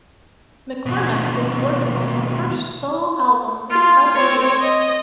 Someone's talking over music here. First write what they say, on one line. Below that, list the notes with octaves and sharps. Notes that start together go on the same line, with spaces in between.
McCormack is working on his first solo album in South Shields.
D#2 B2
F4
C4 C#5
D#5